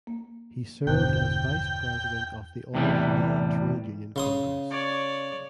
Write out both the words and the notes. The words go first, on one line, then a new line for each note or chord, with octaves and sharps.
He served as vice president of the All India Trade Union Congress.
A#3
G1 E2 B2 D3 C5 G5 F#6
E2 A2 C3 E3 G3
C#3 C6 D#6
C#5 D5